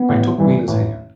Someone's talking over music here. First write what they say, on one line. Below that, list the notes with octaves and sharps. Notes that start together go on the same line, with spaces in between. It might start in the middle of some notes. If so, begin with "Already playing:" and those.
'I took Weena's hand.
Already playing: B3
A1
G2 E3
A1